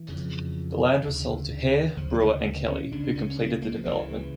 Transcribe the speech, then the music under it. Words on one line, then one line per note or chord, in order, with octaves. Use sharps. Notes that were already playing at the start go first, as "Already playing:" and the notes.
The land was sold to Hare, Brewer, and Kelley, who completed the development.
Already playing: E3
F2 C#3
D2 C#3
D2 C#3 F3
G3
A3
C#4
C#2 C#3 D4
C#4
A#3
A#3
F3
C#2 C#3 E3